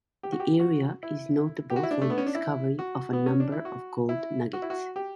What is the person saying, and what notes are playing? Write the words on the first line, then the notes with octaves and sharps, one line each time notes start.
The area is notable for the discovery of a number of gold nuggets.
G4
F#4
G4
F#4
E4
G4
F#4
E4
D4
A3
B3
C#4
D4
E4
F#4
B3
C#4
D4
E4
F#4
E4
F#4
E4
F#4
G4